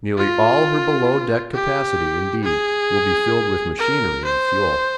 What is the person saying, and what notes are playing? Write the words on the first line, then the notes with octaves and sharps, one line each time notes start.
Nearly all her below-deck capacity, indeed, will be filled with machinery and fuel.
F4
G4
G#4
A#4
C5